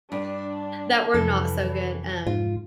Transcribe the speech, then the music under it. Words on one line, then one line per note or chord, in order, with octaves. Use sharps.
that were not so good, uh,
G2 D4
F2 C3 E3 A4
G#2 F4